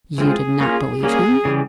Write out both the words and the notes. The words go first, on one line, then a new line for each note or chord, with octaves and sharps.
"You did not believe him?"
E3 G#3 C4 F4 G#4
A#3 C#4 F4
G3 A#3 C#4 G#4
C#3 E3 G3